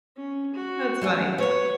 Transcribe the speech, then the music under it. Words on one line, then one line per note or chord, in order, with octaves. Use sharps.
That's funny.
C#4
F#4
F#3 A3 C#4
B4 C#5 F#5